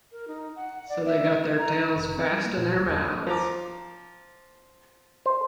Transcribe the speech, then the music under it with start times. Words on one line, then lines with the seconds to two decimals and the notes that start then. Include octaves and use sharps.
So they got their tails fast in their mouths.
0.12 A#4
0.28 D#4
0.56 F#5
0.89 D5
1.06 E5
1.58 A#5
1.96 F#1
2.17 C4
2.31 G3
2.45 A#3
2.57 A#2
2.75 D1
2.88 E2
3.27 F3 A#5 D6
5.26 C5